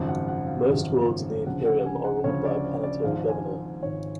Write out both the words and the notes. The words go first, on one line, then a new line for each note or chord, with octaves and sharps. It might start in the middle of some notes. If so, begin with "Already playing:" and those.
Most worlds in the Imperium are ruled by a planetary governor.
Already playing: G#1 F#2 C#3 F3
F#5
F#5
F5
G#1 F#2 C#3 F3
D2 C#3 F3 F#5
F#5
G#5
F#5
D2 C#3 F3 C#5
D5
D5
G#1 G#2 F3 F5
G#5
G#1 G#2 F3 C#5